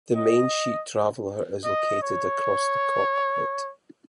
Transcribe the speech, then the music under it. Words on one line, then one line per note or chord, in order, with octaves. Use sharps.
The mainsheet traveller is located across the cockpit.
D#5
D#5
C#5